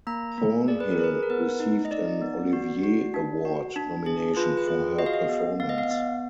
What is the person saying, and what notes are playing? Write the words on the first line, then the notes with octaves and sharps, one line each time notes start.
Thornhill received an Olivier Award nomination for her performance.
A#3 A#5
A#3
G#4 D5
B4
A#4
G#4 B4
A#4
B3 B4
D#4
D#5
D#4 D5
B3
F#4
F#4
D4
F#4
D4
G#4
F4 B4
B4
G#4
F#4 D#5
F5
D#5
B3
B3 F5
D#5
F5
B3